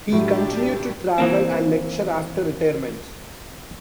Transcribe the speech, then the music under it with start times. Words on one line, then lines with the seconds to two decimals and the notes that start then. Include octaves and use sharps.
He continued to travel and lecture after retirement.
0.12 A2 F#3 D4 E4 G4
1.18 E3 A#3 C4